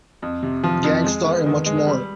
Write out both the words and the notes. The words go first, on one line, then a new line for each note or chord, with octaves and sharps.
Gang Starr and much more.
F2
C3
F3
F2
G#3
B3
D#3
G#3
G3